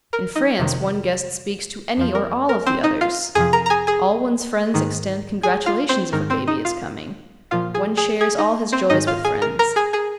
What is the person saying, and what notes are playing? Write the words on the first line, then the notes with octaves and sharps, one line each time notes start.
In France one guest speaks to any or all of the others; all one's friends extend congratulations if a baby is coming; one shares all his joys with friends.
A#4
D#4 D#5
F2 C3 D#3
F2 F3
A#4
A#4
C4 C5
D#4 D#5
F4 F5
F2 C3 F3 G#4 G#5
A#4 A#5
A#5
G#4 G#5
G#4 G#5
G#2 D#3
G#4 G#5
F4 F5
C4 C5
G#2 D#3 A#4
C4 C5
D#4 D#5
F4 F5
A#2 F3 F4 F5
G#4 G#5
G#4 G#5
G#4 G#5
D#4 D#5
C4 C5
G#2 D#3 D#4 D#5
F4 F5
G#4 G#5
A#4 A#5
A#4 A#5
G#4 G#5
G#4 G#5